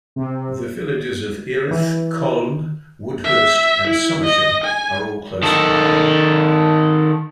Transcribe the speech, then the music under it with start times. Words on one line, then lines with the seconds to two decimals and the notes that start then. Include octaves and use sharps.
The villages of Earith, Colne, Woodhurst, and Somersham are all close by.
0.16 C3
1.71 E3
3.24 E5
3.87 E4
4.24 D#5
4.64 G#5
5.43 D#3 A4